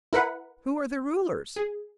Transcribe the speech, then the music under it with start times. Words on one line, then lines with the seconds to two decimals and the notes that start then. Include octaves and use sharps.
Who are the rulers?
0.13 E4 A#4 B4 F#5 B5
1.56 G#4